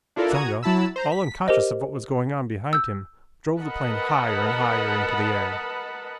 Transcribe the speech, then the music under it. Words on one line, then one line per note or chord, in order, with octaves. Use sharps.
Usanga, all unconscious of what was going on behind him, drove the plane higher and higher into the air.
D4 E4 F4 A4 A#4 D5
F#4 A#5 D#6 G#6
F#3 E4 A5 B5 E6
C5 A#5
B6
G4 A#4 C5 D#5
E6 G6
A#4 B4 D#5 F#5 A5 B5